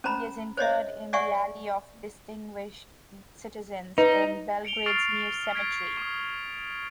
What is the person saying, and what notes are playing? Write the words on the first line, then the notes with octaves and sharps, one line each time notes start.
He is interred in the Alley of Distinguished Citizens in Belgrade's New Cemetery.
C#4 C5 A#5 B5
C5 C#5 D#5 E5
D5 E5 F#5 G#5 C#6
D#4 B4
C#7 D7 F7 G7
C#6 D#6 F6 A6 C7 D7
G#6 A6 B6 D7
C#6 D#6